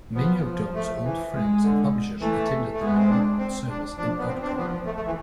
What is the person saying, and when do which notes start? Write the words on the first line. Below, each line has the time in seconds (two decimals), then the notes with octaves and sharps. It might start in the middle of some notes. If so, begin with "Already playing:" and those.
Many of Dom's old friends and publishers attended the memorial service in Odcombe.
0.15 F3 B3
0.45 F3
0.74 A3
1.04 E3
1.33 G#3
1.62 D3
2.20 E3 A3
2.73 A3
2.81 G#3 B3
2.98 C4
3.10 D4
3.38 C4
3.69 D4
3.97 F3 D4
4.18 B3
4.27 C4
4.42 D4
4.47 C4
4.57 F3 B3
4.85 A3
4.96 A3
5.06 E3